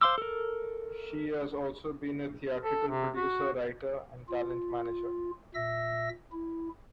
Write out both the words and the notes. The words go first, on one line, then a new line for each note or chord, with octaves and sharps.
She has also been a theatrical producer, writer and talent manager.
C5 F5 C6 D6 E6
A4 A#4
A4
C3
F#4
F4
A#2 E5 E6 A#6
E4